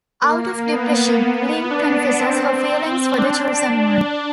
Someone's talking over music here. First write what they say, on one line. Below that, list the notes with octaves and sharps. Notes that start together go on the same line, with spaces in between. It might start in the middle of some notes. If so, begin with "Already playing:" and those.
Out of depression, Ling confesses her feelings for The Chosen One.
A#3
B3
D4
C4
D4